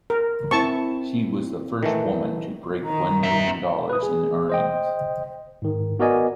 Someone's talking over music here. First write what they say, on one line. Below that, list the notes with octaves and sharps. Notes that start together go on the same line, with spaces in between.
She was the first woman to break one million dollars in earnings.
A#4
C4 E4 A5 C#6
D#3 E3 A3
D#3 A#5
B3 E5
B4 D#6
G#4
C5 D#5 G5
G#2 D#3
B3 F#4 A#4 D5 D#5 G#5